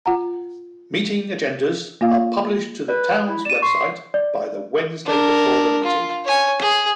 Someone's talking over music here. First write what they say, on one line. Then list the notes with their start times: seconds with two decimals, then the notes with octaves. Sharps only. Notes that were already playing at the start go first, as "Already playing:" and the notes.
Meeting agendas are published to the Town's website by the Wednesday before the meeting.
0.06 F4 F#5 A#5
2.01 A#3 F4 F5
2.88 B4 D5
3.28 E4
3.45 D5 D#7 E7
3.62 C6 C#6
4.14 D5
5.05 D4 A#4
5.83 F4
6.24 C#5 G#5
6.61 G#4